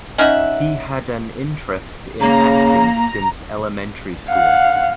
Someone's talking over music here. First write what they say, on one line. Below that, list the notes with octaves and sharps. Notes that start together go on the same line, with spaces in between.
He had an interest in acting since elementary school.
C#4 D#4 E5 F#5
C#3 A#3 A#5
F5 F#5